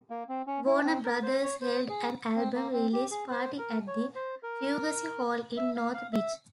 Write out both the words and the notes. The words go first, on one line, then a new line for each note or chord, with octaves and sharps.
Warner Brothers held an album release party at the Fugazi Hall in North Beach.
A#3
C4
C#4
E4
C4
A#4
C5
C#5
C5
G#4
C4
A#3
C4
G4
G#4
C5
A#4
C#5
C5
A#4
E5
F5
F5
E5